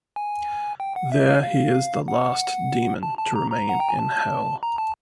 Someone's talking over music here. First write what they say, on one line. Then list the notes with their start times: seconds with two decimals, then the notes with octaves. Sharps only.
There he is the last demon to remain in Hell.
0.16 G#5
0.80 G5
0.96 F#5
1.12 E5
1.28 F5
1.43 F5
2.08 F#5
3.03 A5
3.19 A5
3.36 A#5
3.52 A#5
3.69 F#5
3.80 G5
3.89 G#5
3.99 A5
4.63 A#5
4.78 A5